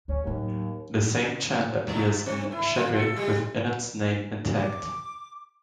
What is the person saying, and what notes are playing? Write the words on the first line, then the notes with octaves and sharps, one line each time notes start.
The same chant appears in "Shardik" with Inanna's name intact.
D2 C#4
D#2 A2 F#3
G2
C4
E4
F4
A4
G3
D6